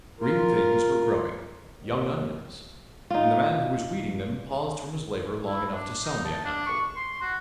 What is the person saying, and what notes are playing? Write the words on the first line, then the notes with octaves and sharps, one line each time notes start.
Green things were growing--young onions--and the man who was weeding them paused from his labour long enough to sell me a handful.
F4 A#4
D#2
D#4 F4
E4
D4
D#4
A5
D4
C#6
C6
F#4